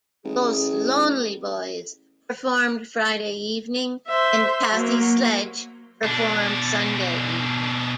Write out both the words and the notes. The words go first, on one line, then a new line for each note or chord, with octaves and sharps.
Los Lonely Boys performed Friday evening and Kathy Sledge performed Sunday evening.
A1 G#4
C5 E5
F#3 A#3
B2 D4